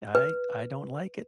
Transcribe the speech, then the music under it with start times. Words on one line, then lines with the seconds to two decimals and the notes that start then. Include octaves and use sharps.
I I don't like it.
0.15 B4